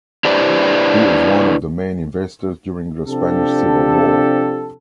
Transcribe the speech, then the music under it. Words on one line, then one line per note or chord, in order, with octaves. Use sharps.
He was one of the main investors during the Spanish Civil War.
D4 E4 G4 B4 C5 D5
C3 F3 D4 G4 A4